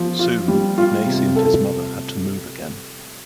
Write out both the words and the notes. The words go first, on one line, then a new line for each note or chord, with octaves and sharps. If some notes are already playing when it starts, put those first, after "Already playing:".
Soon, Ignacy and his mother had to move again.
Already playing: F3
F4
G3
F4
C3
A4